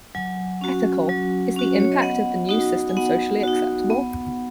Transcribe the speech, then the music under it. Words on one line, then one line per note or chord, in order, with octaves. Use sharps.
Ethical - is the impact of the new system socially acceptable?
F#3 G#5
C#4 F#4
F#3
C#4 F#4
C#5
D#5
B3 F#5
D#4 F#4
G#5
B3 F#5
D#4 F#4
B3